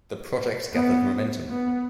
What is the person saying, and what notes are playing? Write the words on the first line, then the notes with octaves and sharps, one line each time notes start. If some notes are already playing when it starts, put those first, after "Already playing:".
The project gathered momentum.
B3
B3